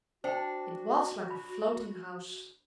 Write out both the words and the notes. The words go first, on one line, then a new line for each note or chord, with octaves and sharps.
It was like a floating house.
D4 F#4 C5 G5
B5